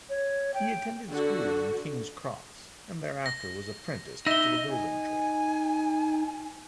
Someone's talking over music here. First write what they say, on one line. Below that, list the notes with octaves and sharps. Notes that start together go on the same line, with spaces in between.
He attended school in King's Cross, and thereafter was apprenticed to the building trade.
C#5
G5
D3 F#4
A#6
D#4 E5 A#6 G7
D#4 G#5